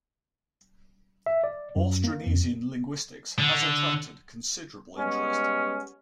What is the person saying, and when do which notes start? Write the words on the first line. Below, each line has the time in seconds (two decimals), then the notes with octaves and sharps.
Austronesian linguistics has attracted considerable interest.
1.26 E5
1.44 D5
1.76 F#2
2.04 A#3
2.26 F2
3.39 D3
4.96 G3 G#3 B3 C#4